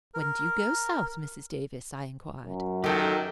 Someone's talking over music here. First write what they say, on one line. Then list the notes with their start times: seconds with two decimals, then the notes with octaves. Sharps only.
"When do you go South, Mrs. Davis?" I inquired.
0.14 A#4
2.44 F#2
2.84 D#3 F#3 G4 A4 G5